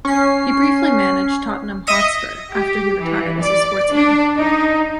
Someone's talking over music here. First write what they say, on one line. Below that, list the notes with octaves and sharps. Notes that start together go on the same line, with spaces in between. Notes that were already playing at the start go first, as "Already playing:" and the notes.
He briefly managed Tottenham Hotspur after he retired as a sportsman.
C#4 C7
D#5 E5 D#6 A#6 C#7
G4
E3
D5
D4
D#4